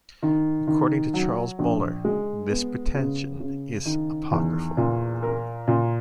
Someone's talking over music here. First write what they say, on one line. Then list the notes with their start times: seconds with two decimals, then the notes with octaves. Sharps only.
According to Charles Moeller, "this pretension is apocryphal".
0.23 D#3
0.67 D#3
1.14 F#3
1.59 A#1
2.05 G#3
2.50 B3
2.95 C#3
3.40 C#3
3.86 D#3
4.31 E2
4.77 A#2
5.23 A#4
5.68 A#2